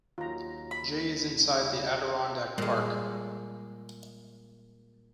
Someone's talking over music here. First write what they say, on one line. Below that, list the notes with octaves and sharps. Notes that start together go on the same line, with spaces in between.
Jay is inside the Adirondack Park.
D#2 F#3 F4 A#5
B5
C#3 G3
A#2 G3 G#3